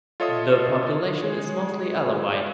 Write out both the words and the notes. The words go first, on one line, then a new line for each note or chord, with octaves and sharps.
The population is mostly Alawite.
F4 A4 C#5 D#5 E5 D#6
G#3 G#4 C#5